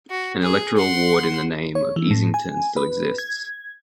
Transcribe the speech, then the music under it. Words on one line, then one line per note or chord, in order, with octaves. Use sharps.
An electoral ward in the name of Easington still exists.
F#4
G#4
F#5 C6
C#5
E3
A2
G#5
B4
G#6